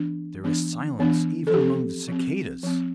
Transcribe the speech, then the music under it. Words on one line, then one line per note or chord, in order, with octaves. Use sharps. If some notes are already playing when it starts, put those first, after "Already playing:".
There is silence even among the cicadas.
Already playing: E3 B3 D4
E3 B3 D4
E3 B3 D4
A4
F3 C4 G4
F3 C4
F3 C4